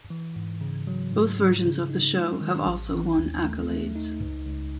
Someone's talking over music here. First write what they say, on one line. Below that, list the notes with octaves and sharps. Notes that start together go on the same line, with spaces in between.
Both versions of the show have also won accolades.
E3
G#2
C#3
F#3
G#2
G#2
C#3
D#4
G#3
D#3
A1
E3
D#2
A3
A3
D#4
C#2
C#2